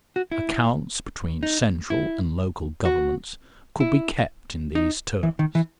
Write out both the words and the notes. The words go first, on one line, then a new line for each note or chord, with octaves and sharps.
Accounts between central and local governments could be kept in these terms.
F#4
E4
D#4
E4
F#4
E4
D#4
E3
D#3
E3